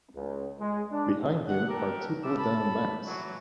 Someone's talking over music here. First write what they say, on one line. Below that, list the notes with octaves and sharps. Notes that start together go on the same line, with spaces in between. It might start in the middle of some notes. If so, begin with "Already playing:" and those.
Behind him are two pull-down maps.
C#2
G#3
D4
F#5
G4 A4 A#4
B2 F3 G3 D4 D6 E6
A4 A5 B5
E3 F#3